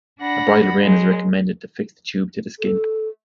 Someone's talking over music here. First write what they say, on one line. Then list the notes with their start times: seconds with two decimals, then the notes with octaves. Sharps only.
A bridle rein is recommended to fix the tube to the skin.
0.21 D4 F#5 B5 A#6
0.81 F#3 G#3
2.60 A4